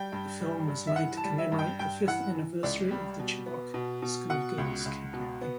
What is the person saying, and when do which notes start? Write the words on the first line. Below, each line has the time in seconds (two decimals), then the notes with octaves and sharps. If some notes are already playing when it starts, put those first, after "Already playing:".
The film was made to commemorate the fifth anniversary of the Chibok schoolgirls kidnapping.
Already playing: G3 G5
0.12 G2
0.40 G3
0.68 G2
0.87 E5
0.96 E3 F#5
1.17 A5
1.24 G3
1.38 E5
1.52 G2
1.59 G5
1.79 G2 G5
2.07 E3 F#5
2.35 E3
2.63 C#2 D5
2.91 G3
3.19 B2
3.46 B3
3.74 B2
4.02 B2
4.30 B2 F#5
4.58 C#2
4.85 C#2
5.13 B2
5.41 B3